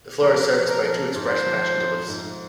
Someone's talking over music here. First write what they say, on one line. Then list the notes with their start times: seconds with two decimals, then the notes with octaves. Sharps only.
The floor is serviced by two express passenger lifts.
0.22 F3 A#4
0.53 F3
0.69 A#4
0.84 F3
1.16 G#2 C5
1.46 F3
1.78 F3
2.09 G#2